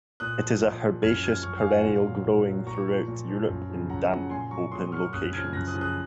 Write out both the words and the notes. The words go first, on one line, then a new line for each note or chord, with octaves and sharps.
It is a herbaceous perennial growing throughout Europe in damp, open locations.
A#2 D#6 F#6
F3
A#2
F3
F#2 F6 G#6
F3 F6 G#6
F#2 C#6 F6
F5 G#5
F3
F#5
A#2 F5
F#3
A#2
F#3
A#2 A#5 C#6
F3
A#2
F3
F#2
C#3 F3
F#2 F#5 A#5
C#3 F3 F#5 A#5
A#2 G#5 C6
F#3 A#5 C#6
A#2 C6 D#6
F#3 C#6 F6
F#2 D#6 F#6
C#3 F3 F6 G#6
F#2 F#6 A#6
D#6 F#6
C#3 F3
D#6 F#6